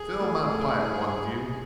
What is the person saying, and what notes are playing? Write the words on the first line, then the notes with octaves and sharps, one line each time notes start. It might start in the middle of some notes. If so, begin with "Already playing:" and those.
'Fill my pipe, one of you.
Already playing: G#4
A3
A3
E4